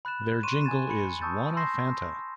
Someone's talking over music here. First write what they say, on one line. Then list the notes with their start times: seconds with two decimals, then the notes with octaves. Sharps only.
Their jingle is Wanna Fanta!
0.05 B5 F#6 A6 E7
0.43 C6 C#6 D#7 E7
0.64 G#5 G#6 A6 E7
0.90 B5 C#7
1.21 A5 C#6 D#6 E6 G6 A6
1.57 C6 E6 G6 A#6 C7 E7